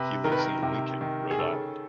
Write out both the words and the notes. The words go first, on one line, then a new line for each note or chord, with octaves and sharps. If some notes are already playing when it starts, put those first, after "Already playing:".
He lives in Lincoln, Rhode Island.
Already playing: C3 B4
D#3 A#4
B4
A#4
C3
D#3
G#4
C#3 A4